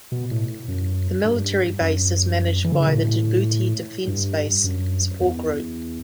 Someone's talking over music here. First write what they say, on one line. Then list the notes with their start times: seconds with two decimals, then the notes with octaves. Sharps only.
The military base is managed by the Djibouti Defense Base Support Group.
0.12 B2
0.31 A2
0.68 F#2
1.25 G2
1.80 F#2
2.64 E3
2.72 D3
2.80 C#3
2.87 B2
2.94 A2
4.07 G2
4.64 F#2
5.20 E2